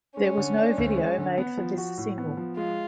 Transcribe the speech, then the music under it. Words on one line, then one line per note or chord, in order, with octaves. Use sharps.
There was no video made for this single.
G#3 C#4
D3
D4
D2
G#3
D3
B3
F3
F#4
A2
B3
F3
G#3 F4